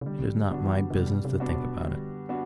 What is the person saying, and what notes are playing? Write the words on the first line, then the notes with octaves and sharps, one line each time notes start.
It is not my business to think about it.
C3
D3 G3
D3 B3 D4 F#4
E3
D3
D3
C3 G3
C3
B3 D4 F#4
B2
D3 G3
B3 D4 F#4